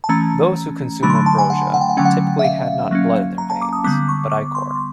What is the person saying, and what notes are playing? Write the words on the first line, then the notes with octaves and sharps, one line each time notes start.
Those who consume ambrosia typically had not blood in their veins, but ichor.
A5
E3 A3 C#4 A#5
D3 F#3 A3 D4 B5
C6
B5
A5
G#5
F#5
F#5
G5
F#5
D3 F#3 A3 C#4 G5
F#5
E5
F5
F#3 A#3 C#4
A#5
A5
D6
D#6
D3 G3 B3 D6
C#6
D6
C6